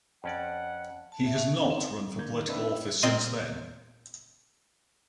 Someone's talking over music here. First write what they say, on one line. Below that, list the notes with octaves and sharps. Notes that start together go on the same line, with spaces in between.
He has not run for political office since then.
F2 C#4 D5 F#5
A5
E5
C#4
D#4
C4
D3 A#3 G6 G#6
D#3
C4 D4 D#4 B4 E5 E6
A#2 C4 D#5 C6 D#7